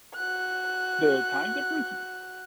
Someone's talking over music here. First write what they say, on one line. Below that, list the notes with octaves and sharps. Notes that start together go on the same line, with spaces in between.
The time difference?
F#4 F#6